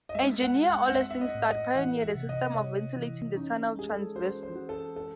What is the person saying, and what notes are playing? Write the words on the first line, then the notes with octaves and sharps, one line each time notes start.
Engineer Ole Singstad pioneered a system of ventilating the tunnel transversely.
D#5
G#3 E5
F#5
G#3
F#5
F#5
C4 E5
E5
D#5
A2
D#5
E3 F#5
E5
C3
D#5
C3 C#5
E3
C#4 D#4
D#4
G#3 G#4
A4
F#4 C5
C5
F#4
A4
A4